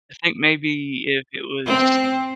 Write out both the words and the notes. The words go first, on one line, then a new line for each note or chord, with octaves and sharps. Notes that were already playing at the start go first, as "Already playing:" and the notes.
I think maybe if it was
C4